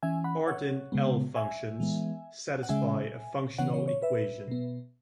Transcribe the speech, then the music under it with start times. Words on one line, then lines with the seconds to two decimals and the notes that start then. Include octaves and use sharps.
Artin L-functions satisfy a functional equation.
0.03 E3 C#4 E5 G#5
0.24 F#5 B5
0.47 C#5 F#5
0.92 C#3 G#3 B3
1.36 E5 G#5
1.80 E3 G#3 B3
2.63 F#5
2.69 C#3 G#3 C#4 E5 G#5
3.58 C#3 E3 B3 C#5 F#5
3.74 C#5
3.88 C#5
4.02 B4 E5
4.48 B2 B3